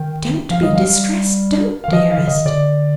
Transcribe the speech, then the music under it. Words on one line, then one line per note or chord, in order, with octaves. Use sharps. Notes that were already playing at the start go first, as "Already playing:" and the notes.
"Don't be distressed; don't, dearest!"
Already playing: D#3 G5
F3 F5
G3 D#5
F3 F5
G3
F5
D#3
F3 D#5
F5
D3
D#3 D#5
D3 D5